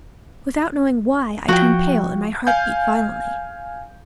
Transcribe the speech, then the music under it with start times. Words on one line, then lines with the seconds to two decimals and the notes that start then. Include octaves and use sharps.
Without knowing why, I turned pale and my heart beat violently.
1.48 F3 F#4 G5
2.47 F5 G#5 G6